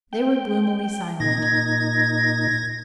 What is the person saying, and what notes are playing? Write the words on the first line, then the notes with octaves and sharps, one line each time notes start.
They were gloomily silent.
G5
A#2 D#4 G#6 A#6